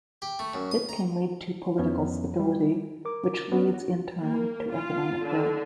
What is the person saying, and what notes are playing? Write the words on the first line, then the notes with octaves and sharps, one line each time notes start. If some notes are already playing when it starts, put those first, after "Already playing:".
It can lead to political stability which leads, in turn, to economic growth.
G4
A3
F#2
D#6
A#5
F2 F3 B3 C#4 E4
G3
A#4 D6
B3 C#4 D4
F#4
A#3
F4
D3